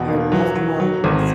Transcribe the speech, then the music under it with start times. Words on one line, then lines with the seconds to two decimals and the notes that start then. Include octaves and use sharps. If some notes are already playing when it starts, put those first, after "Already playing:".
our loved ones
Already playing: E2 B2
0.08 A#3
0.32 F#3
0.56 F#3
0.80 F#3
1.04 G#1